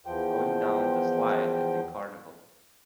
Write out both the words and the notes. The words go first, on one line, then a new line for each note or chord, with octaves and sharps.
Going down the slide at the carnival.
E2 F3 G5